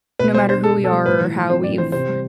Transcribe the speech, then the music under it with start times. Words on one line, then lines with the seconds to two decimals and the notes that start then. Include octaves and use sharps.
no matter who we are or how we've
0.19 B2 B4
0.34 G3 C5
0.48 D4 C5
0.63 G4 A4
0.77 B2
0.84 A4
0.92 G3
1.06 A2 B4
1.21 E3
1.35 A3
1.50 C4 C5
1.63 A2 D5
1.78 E3 C5
1.92 C3 C5
2.08 G3